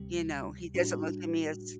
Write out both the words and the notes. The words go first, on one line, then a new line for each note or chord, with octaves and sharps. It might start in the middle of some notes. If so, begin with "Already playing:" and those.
you know, he doesn't look at me as
Already playing: D2 C3 G3
A2 G3 D4 F#4